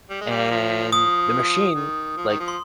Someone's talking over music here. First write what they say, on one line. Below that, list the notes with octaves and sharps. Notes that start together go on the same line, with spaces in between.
and the machine, like,
G3
G#3
G3
F3
F3 D#6
D#3
F3
D#3
F3
C6